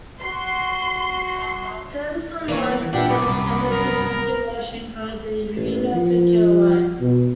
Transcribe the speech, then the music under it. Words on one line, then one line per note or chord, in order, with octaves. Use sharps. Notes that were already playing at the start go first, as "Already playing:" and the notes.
Service on the line has been extended to Tokyo Station via the Ueno-Tokyo Line.
F#4 C6
E3 A#3 C#5
A#2 D4 E4 G4 F#5
F#2 B3 D6
C2
A#4
A1
F3
B2